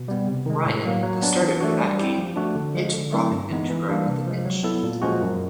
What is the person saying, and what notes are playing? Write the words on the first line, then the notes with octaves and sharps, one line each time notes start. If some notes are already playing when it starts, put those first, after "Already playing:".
Ryan, the starter for that game, hit Robin Ventura with a pitch.
Already playing: B2
G3 B3
C3
D#3 G#3
A2
F#3 A#3
F#3
B3 D4
E3
A3 D4 F#4
G3
C4 E4 G4
F3
A3 D4 F#4
D3
F3 G#3
D3
F#3 A3 C4 E4
G2
E3 G#3 B3 D#4
E3
G3 A#3 D4 G4
C3
F3 G#3
F#3
B3 E4 A4
A#2
F3 G#3 C#4 F#4
F#2